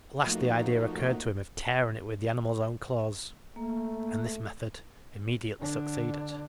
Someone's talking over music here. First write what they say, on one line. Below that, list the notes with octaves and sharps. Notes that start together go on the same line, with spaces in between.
At last the idea occurred to him of tearing it with the animal's own claws, and this method immediately succeeded.
F3 A3 A#3 D#4 F#4
A3 A#3
D3 D4